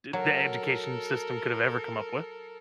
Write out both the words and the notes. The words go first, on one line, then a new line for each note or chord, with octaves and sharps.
s the education system could have ever come up with
F#3 A4 A#4